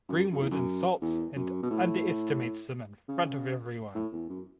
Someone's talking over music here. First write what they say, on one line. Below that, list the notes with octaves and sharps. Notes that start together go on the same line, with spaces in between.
Greenwood insults and underestimates them in front of everyone.
F#2
F#2
E2
F#2
E2
F#2
B2
A2
C#3
A2
E2
F#2